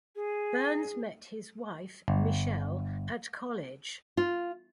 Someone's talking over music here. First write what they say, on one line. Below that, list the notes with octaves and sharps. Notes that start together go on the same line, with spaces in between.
Burns met his wife, Michelle, at college.
G#4
G1
F4